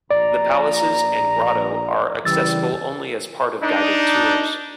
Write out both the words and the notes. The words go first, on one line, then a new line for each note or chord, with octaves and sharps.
The palaces and grotto are accessible only as part of guided tours.
A#1 D5 A#5
C#3 E3 G3 E6 A6
D4 D#4